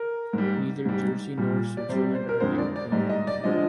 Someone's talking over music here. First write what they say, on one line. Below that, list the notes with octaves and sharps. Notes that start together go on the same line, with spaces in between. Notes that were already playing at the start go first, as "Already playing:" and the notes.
Neither Jersey nor Switzerland are in the European Union.
Already playing: A#4
G#2 G3
G#2 G3
A#2 G3
D5
C3 G3 C5
C5
A#4
F2 D3 G#3 C5
D5
D5
G#2 G3 D#5
D#5
D5
D3 F3 G#3 D#5